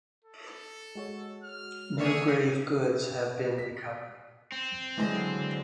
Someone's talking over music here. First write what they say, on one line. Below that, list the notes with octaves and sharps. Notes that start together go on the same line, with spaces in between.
No grave goods have been recovered.
A4
G#3 F#4 C#5
F6
D#3 A#3 G#4 C#5 D5 E5
B6
C4
D3 E3 F#3 G#3